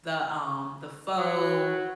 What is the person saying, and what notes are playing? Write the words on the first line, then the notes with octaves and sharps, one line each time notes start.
the, um the pho,
F#3